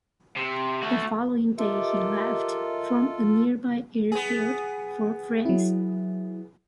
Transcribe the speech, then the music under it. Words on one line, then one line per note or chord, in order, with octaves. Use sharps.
The following day he left from a nearby airfield for France.
C3
A3 F#4
F4 G4 A4 A#4 D#5 E5
B3 G#4
F#3 E4